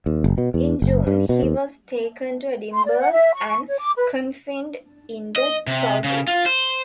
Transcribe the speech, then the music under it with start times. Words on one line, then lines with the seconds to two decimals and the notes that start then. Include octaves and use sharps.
In June he was taken to Edinburgh and confined in the Tolbooth.
0.06 D#2
0.24 F#1
0.38 B2
0.54 E2
0.82 F#1
1.07 G2
1.29 B2
1.43 D#2
2.72 C6
2.85 D5
3.00 F#5
3.11 E5
3.34 C#6
3.68 C#5
3.80 D6
3.96 B4
5.36 D#5
5.67 C3
6.04 C#3
6.27 F4
6.46 C5